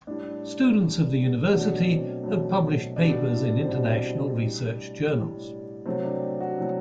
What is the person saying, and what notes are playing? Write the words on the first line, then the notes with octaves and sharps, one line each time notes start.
Students of the University have published papers in international research journals.
A2 G3 D4
A2 G3
B2 F#3 A3 D4
C4
B2 F#3 A3
B2 G3 D4
E4
C4
B2 G3 D4
A2 G3
A2 G3
C3 F#3 A3 C4
D4
F#4
C3 F#3 A3 E4